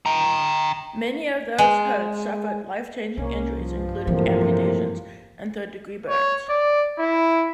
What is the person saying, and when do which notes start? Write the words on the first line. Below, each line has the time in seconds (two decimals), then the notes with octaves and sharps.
Many of those hurt suffered life changing injuries, including amputations, and third degree burns.
0.06 G5 A#5
1.58 G#3
3.17 C2 A#3 C#4
3.54 G2 F3
4.07 A2 C3 E3 A#3 D4
6.09 C#5
6.49 D5
6.99 E4